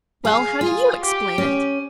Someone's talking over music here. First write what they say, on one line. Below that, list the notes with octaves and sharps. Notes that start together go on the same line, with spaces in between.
"Well, how do YOU explain it?"
G#4 F5
F4 G#4
G4
C#4